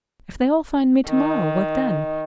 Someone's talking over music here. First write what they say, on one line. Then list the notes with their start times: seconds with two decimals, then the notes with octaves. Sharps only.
If they all find me to-morrow, what then?
1.07 D#3